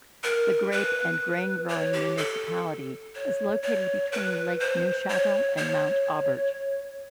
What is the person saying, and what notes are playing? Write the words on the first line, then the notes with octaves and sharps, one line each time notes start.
The grape and grain growing municipality is located between Lake Neuchatel and Mont Aubert.
A#4
B4
C#5
G4
A4
C#5
C#5
B4
C5
C#5
C#5